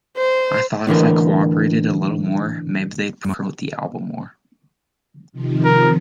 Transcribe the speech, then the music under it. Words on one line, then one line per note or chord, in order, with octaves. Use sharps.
I thought if I cooperated a little more, maybe they'd promote the album more.
C5
A2 D3 E3 A#4
C3 D#3 F3
A#4